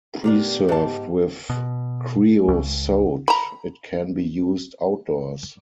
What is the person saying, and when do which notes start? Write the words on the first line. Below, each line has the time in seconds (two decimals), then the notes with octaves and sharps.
Preserved with creosote it can be used outdoors.
0.24 A#2 A#3 B3 D4 G4
0.69 G#2 A5
1.50 B2
2.48 C#2
3.28 A#5 B5